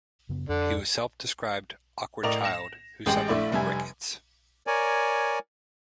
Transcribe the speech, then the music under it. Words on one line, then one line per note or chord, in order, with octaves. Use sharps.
He was a self-described "awkward child" who suffered from rickets.
F#2 C#3 B3
F2 D3 D5
A2 A#4 D5 D#5 F7
A#6 E7
A1 G#3 G4 G#4 G5 F#7
A#1 A3 E4 D5
F1 G3 E5 G#5
A#4 C#5 D5 G#5